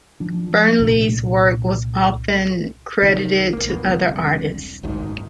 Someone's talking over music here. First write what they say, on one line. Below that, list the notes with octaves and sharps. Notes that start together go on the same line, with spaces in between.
Burnley's work was often credited to other artists.
F3 D4
C2 A#2 C#4 D4
C2 D#3
A#1 A#3
F2 B2
E1 C2 D3
A1 D2 G#2 D#3
F#1